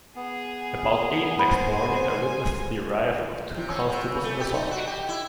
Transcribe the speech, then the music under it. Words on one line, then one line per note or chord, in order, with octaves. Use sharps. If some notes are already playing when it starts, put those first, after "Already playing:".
About eight next morning I witnessed the arrival of two constables and a sergeant.
B3 G#4
C5 G#5 B5
C3
C#4
C3
C#3
A3
G4
D#4
F#4
G4
E4